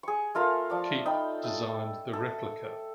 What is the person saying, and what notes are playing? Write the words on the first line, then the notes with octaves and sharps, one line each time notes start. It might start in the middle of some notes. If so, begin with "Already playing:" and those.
Keep designed the replica.
G#4 C#6
A3 F4 A#4 F5
F3 D5 A5
D#4 G5 B5
A4 E5
A4